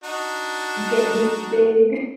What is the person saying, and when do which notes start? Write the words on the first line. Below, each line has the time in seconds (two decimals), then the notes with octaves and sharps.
get this big,
0.04 D4 D#4 F#4